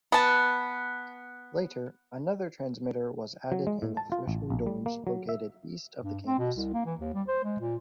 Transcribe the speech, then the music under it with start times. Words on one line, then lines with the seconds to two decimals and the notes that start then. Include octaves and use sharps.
Later, another transmitter was added in the freshman dorms located east of the campus.
0.12 B3 A5
3.52 F#3
3.67 G#3
3.82 A2
3.97 A5
4.12 F4
4.28 A1
4.50 A#1
4.66 G3
4.86 A#3
5.07 F#3
5.29 E5
6.02 G2
6.26 C4
6.39 B2
6.57 C2
6.73 A#3
6.86 E3
6.99 D#2
7.14 G3
7.27 C5
7.44 G#3
7.60 A#2